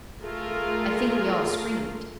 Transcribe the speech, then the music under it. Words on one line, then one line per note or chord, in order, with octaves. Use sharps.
I think we all screamed.
A3 F4 G#4 A#4